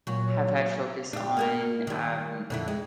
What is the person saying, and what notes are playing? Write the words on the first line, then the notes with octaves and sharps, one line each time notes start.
have had focus on, um,
A#2 F#3
D4 G4
A#3 G#4 A#4
D#3 G3
F2 D3 E4
G#3